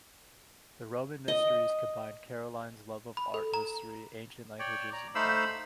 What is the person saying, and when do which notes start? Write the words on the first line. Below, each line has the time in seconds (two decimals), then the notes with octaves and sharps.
"The Roman Mysteries" combine Caroline's love of art history, ancient languages and travel.
1.28 D#5
3.17 B5
3.34 A4
3.54 A#5
4.59 C#5 D5 G5
4.93 D5 A#5
5.15 A3 D#4 C5 F5 B5 E6